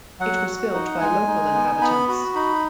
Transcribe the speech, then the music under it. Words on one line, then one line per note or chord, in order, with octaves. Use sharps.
It was built by local inhabitants.
F#3 F#5
F#4
D#4
G#3 G#5
D#4
B3
B3 B5
F#4 B5
D#4 B5